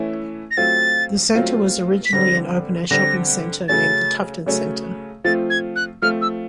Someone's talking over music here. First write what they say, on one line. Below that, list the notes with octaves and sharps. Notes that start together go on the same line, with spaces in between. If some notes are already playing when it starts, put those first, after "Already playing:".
The centre was originally an open-air shopping area named The Tufton Centre.
Already playing: E3 A3 C#4 E4
A#6
F#3 A3 C4 F4 A6
F#3 A3 C4 F4
B6
D3 G3 C4 A#6
D3 G3 C4 A#6
C#3 F#3 A3 C#4 A6
C#3 F#3 A3 C#4
F3 A3 C4 F4 A6
G#6
F#6
F3 A3 C4 F4 F6
E6